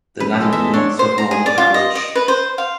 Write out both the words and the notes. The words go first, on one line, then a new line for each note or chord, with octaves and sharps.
The ladder did not swivel on the carriage.
F#1 B4
A#2 G#3 A4
E2 E5
D4 C#5 C6
C5
A#5
G#4
D5
F4
D#5
D#5
B4
C5
F5